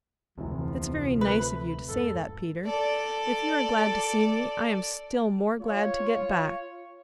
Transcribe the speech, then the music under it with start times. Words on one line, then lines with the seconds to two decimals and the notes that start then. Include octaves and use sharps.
"It's very nice of you to say that, Peter. If you are glad to see me I am still more glad to get back."
0.38 F1 D2 C3 E3 F3
1.21 A3 B4
1.89 F2 G#2 A4
2.65 A4 D5
5.61 F4 C#5